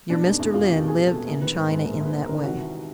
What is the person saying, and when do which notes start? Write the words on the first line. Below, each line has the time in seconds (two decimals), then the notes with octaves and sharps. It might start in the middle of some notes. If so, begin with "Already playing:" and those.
Your Mr. Lyne lived in China in that way.
0.10 B2 D4
0.24 F1 D#4
0.39 E2 E4
0.54 E2 F4
0.68 F1 G4
0.83 B2 G#4
0.97 E2
1.07 A4
1.12 B2
1.27 A#1 A#4
1.42 D#3 B4
1.56 G#2 B4
1.71 G#2 B4
1.85 A#1 A#4
2.00 A#1 B4
2.15 A#1
2.24 D#3 A#4
2.44 C2 F#4
2.58 E3